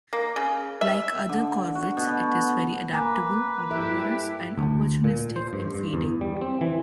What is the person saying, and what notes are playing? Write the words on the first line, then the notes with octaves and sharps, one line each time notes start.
Like other corvids it is very adaptable, omnivorous and opportunistic in feeding.
A#3
C#3
E5
D3
F#4
B2
A#3 B4 G#5 A#5 D6
G2 E4 G4 A4 E5
D2
A#2
C5
G2
G2
E2
G3
C4
E3